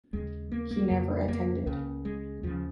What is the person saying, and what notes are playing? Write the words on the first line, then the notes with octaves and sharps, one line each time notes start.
He never attended.
D#2 C#3 G#3
A#3
A#3
F2 C#3
A#3
C#2 C#3
G#3
D#2 C#3 F3